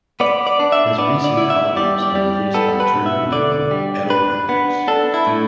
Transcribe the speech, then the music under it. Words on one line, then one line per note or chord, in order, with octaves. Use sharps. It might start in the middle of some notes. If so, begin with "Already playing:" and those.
His recent albums are released by German label, Edel Records.
B3 D5
D5
D4
E5
B3 D5
D5
E4
E5
G3 D5
D5
G3
B3 A4
B4
B2
E5
D3 D5
G3
D4 B4
B3
D4 A4
E4
A2